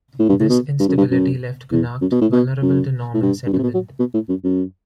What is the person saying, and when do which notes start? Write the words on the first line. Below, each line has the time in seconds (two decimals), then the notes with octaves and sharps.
This instability left Connacht vulnerable to Norman settlement.
0.19 A2
0.29 G2
0.40 A2
0.49 B2
0.80 G2
0.89 F#2
0.98 G2
1.11 F#2
1.72 E2
2.01 F#2
2.12 B2
2.21 A2
2.32 B2
2.62 F#2
3.14 A2
3.22 G2
3.46 G2
3.53 F#2
3.59 C3
3.63 B2
3.74 F#3
3.99 B2
4.14 A2
4.29 F#2
4.44 F#2